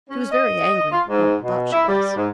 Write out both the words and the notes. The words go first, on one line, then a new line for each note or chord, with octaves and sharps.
She was very angry, or thought she was.
C#4
D#5
F4
G#2
B2
E4
G3
G#2